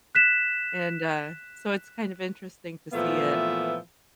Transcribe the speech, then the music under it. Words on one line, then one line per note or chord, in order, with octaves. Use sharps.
And, uh, so it's kind of interesting to see it.
F#6 B6 E7
A#2 E3 F3 A3 B3 E5